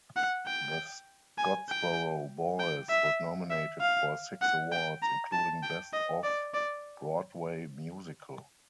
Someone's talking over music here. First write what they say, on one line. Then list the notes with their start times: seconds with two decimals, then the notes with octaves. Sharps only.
"The Scottsboro Boys" was nominated for six awards, including Best Off-Broadway musical.
0.16 F#5
0.47 G5
1.38 G#5
1.69 G5
2.59 G5
2.90 E5
3.50 E5
3.81 F5
4.41 F#5
4.72 G5
5.02 A#5
5.32 A5
5.63 G5
5.93 D#5
6.24 D5
6.54 D5